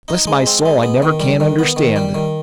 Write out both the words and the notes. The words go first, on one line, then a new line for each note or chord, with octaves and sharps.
"Bless my soul, I never can understand it!"
D#4
G#3
C4
G#3
B3
D#3
G3
D#3
B3
D#3
G3
D#3